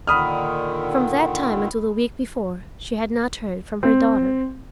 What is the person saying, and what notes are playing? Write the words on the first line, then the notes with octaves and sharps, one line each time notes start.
From that time until a week before, she had not heard from her daughter.
A#2 D3 D#3 B5 D#6 F6
C4